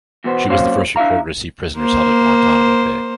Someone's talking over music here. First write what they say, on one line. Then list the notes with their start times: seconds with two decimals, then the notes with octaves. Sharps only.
She was the first reporter to see prisoners held at Guantanamo Bay.
0.24 E2 B2 B3 C5
0.47 C3 F#3 A#3 C#4 C5 F5
0.96 D4 E4 E5 F5 A#5
1.77 A#3 C5